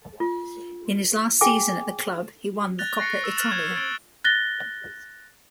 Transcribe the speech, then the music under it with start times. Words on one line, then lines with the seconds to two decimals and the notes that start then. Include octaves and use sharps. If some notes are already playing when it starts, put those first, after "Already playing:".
In his last season at the club, he won the Coppa Italia.
0.20 F4
1.41 G#4 G5 G#5 D6
2.79 F#6 A6 A#6 F7 G7
2.98 C#6 F#6 A#6 C7 C#7
3.24 E6 A#6 E7 F7
3.37 F6 F#6 A6 E7
3.51 F6 G#6 E7 F7
3.76 A6 D7 G7
4.24 F#6 A6 A#6 G7